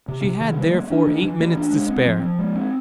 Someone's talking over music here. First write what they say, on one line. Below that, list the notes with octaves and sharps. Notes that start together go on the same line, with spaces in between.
She had, therefore, eight minutes to spare.
C3
C3
D#3
G3
A3
D4
E3
E3
A3
D4
G#3
C4
F3
F3
G#3
C4